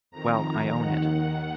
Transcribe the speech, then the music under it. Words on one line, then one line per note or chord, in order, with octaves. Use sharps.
"Well, I own it."
F2 D#3 A#5
D#2 D#3 F#5